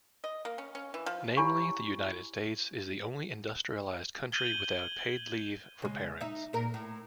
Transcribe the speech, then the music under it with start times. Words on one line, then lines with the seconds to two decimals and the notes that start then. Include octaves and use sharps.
Namely, the United States is the only industrialized country without paid leave for parents.
0.24 D#5
0.45 A#3
0.58 C#4
0.75 C#4
0.94 E3
1.06 F3
1.37 E4 G4 C#5 G#5 B5 C#6
4.32 G6 G#6 D#7 F#7 G7
5.82 C#3 G#3
6.21 D#4 E5
6.53 A#2 A#4
6.74 A2